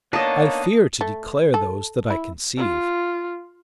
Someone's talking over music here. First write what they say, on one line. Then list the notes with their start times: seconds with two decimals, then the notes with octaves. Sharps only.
I fear to declare those that I conceive.
0.13 A#3 B3 D4 D#4 C#5 D#5 A5
1.01 A3
1.54 A4
2.10 E4
2.58 F4